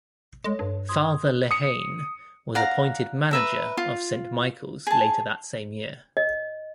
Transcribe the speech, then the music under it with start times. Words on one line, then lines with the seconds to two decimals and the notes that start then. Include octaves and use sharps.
Father Lehane was appointed manager of Saint Michael's later that same year.
0.44 G#3 A4 C#5
0.59 G2
0.89 C6 D#6 G#6
1.51 D#6 C#7
2.55 D5 F5 F#5 A#5
3.31 B4 E5 A#5
3.77 F4
4.87 G#4 A5
6.17 D#5